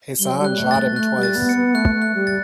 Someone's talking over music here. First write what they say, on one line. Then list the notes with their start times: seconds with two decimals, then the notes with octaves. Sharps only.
Hassan shot him twice.
0.19 G3 G7
0.30 F#3
0.41 G3 F#6
0.58 A3
0.71 A6
0.96 A3 F#6
1.16 G3
1.23 A6
1.35 B3
1.49 C#7
1.56 B3
1.74 A3 F#6
1.95 A3
2.02 F#6
2.15 G3
2.27 A6